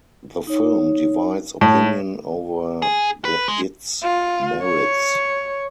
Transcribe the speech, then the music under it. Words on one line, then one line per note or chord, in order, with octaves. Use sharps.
The film divides opinion over the its merits.
D#4 C#5
A2 C#5
G#4
B4
G#3
F4
C#5